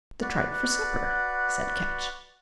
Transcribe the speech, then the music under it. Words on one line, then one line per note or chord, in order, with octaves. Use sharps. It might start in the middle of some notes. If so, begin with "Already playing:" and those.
"The tripe for supper," said Ketch.
F#4 B4 D5 F#5